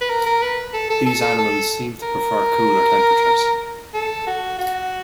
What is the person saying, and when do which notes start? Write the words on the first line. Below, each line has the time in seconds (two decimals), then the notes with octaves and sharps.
These animals seem to prefer cooler temperatures.
0.01 B4
0.09 A#4
0.26 A#4
0.42 B4
0.74 A4
0.90 A4
1.06 A4
1.21 A4
1.38 A4
2.02 A#4
3.94 A4
4.27 F#4
4.58 F#4